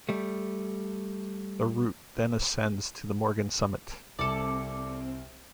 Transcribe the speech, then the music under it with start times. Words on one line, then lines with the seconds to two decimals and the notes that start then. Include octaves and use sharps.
The route then ascends to the Morgan Summit.
0.09 G3 A3
4.19 C2 C4 A4 D5